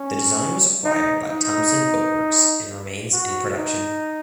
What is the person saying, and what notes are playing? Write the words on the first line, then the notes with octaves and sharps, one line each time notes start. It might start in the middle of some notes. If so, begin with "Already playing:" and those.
The design was acquired by Thompson Boatworks and remains in production.
Already playing: C#4
D#4
D#4
F#4
D#4